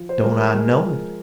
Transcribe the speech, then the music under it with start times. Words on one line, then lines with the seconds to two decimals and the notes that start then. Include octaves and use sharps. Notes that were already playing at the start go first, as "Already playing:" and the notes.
Don't I know it!
Already playing: F3
0.09 C5
0.23 G#3 A#4
0.39 A#4
0.55 G#3
0.85 F3